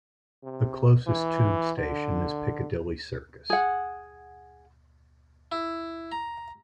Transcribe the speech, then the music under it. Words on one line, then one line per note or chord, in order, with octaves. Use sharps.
The closest tube station is Piccadilly Circus.
C3
E3
D3
G#4 F#5
E4
A#5